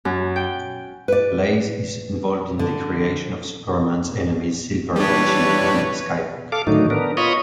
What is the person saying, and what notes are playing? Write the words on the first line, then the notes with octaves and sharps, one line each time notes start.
Blaze is involved in the creation of Superman's enemies Silver Banshee and Skyhook.
F#2
G5
B4 D5
D3
E3 G3 D4 B4 C#5
A4 F5 D6
A2 D3 D#3 F#3 A3 D#4
B3 D4 A#4
F4 C#5 D#5 B5 C#6 D#6